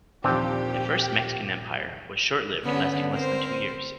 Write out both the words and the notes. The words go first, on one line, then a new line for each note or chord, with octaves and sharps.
The First Mexican Empire was short-lived, lasting less than two years.
D#2 A#2 F3 C4 D4 G4
D3 B3 C#4
C4 A#4 C5